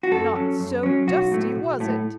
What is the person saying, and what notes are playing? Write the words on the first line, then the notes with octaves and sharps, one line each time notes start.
Not so dusty, was it?
F#4
F#2 A4
F#3 C#4
F#2
F#3 C#4
B1 F#4
A2 A3
B1
A2 A3